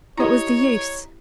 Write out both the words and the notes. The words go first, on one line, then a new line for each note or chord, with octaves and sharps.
What was the use?
E4 G4 C#5 D#5 A#5